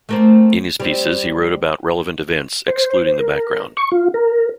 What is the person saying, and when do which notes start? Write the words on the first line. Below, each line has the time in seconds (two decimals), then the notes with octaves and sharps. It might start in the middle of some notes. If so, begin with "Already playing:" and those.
In his pieces he wrote about relevant events, excluding the background.
0.09 A3 A#3 C4
0.80 G3 C4
2.68 C5
3.19 A#4
3.77 C#6
3.92 F4
4.14 A#4